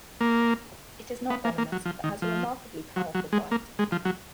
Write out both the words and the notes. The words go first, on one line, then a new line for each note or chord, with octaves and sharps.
It is not venomous, but has a remarkably powerful bite.
A#3
B3
A#3
A#3
F#3
F3
D#3
F3
F#3
F#3
G#3
A#3
G#3
F3
F#3